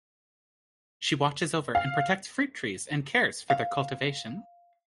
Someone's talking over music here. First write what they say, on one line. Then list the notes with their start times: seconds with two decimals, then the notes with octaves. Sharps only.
She watches over and protects fruit trees and cares for their cultivation.
1.75 F5
3.50 F5